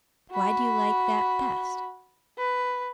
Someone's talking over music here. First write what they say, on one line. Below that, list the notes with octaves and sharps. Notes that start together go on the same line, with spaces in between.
"Why do you like that best?"
F#4 B5
B4